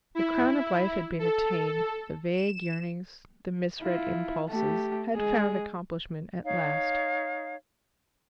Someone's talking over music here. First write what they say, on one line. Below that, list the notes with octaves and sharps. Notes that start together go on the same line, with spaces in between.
The crown of life had been attained, the vague yearnings, the misread impulses, had found accomplishment at last.
E4
A4
E7
E4 F4
A3 G4
G#3 G#4
D#4 C#5 F5